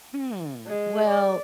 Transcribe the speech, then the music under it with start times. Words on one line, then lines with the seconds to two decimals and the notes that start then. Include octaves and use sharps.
Hmm. Well,
0.67 G#3
1.07 D5